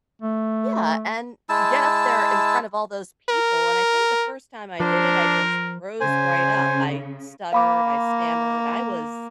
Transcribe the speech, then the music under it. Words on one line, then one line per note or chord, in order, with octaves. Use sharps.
Yeah, and get up there in front of all those people, and I think the first time I did it, I just froze right up, I stuttered, I stammered, I was
A3
G#3 E4 A5 E6
A#4
F3 D4 A#4 C5
C#3 C5 G#5
A#3 F5 B5 D6